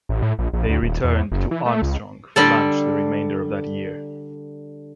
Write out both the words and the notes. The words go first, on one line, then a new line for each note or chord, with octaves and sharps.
They returned to Armstrong for lunch the remainder of that year.
A1
A2
A#1
A#1
D2
D#1
E2
F#1
E3
A3
C#2
D3 G3 A4